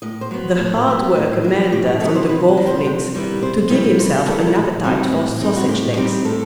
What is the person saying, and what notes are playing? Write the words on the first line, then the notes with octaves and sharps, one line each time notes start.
The hard work a man does on the golf links to give himself an appetite for sausage links.
A2 D#5
C5
F#3 B3
A2
F#3 B3
A2
F#3 B3
A2 G4
G4
F#3 B3 A4
C5
C3 B4
B4
D#3 G3 B3 E4
C5
C3
D#3 G3 B3 E4
C3 C5
D#3 G3 B3 E4 D#5
C3 C5
G4
D#3 G3 B3 E4 A4
A4
A2 A4
G3 C4 D#4 F#4
A2
G3 C4 D#4
F#4
A2 G4
G3 C4 D#4 G4
A2 A4